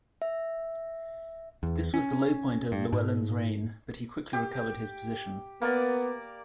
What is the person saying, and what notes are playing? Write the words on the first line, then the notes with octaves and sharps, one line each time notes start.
This was the low point of Llywelyn's reign, but he quickly recovered his position.
E5
E2
C#4
G2
G#2
G4
A#3 B3 A#4 D5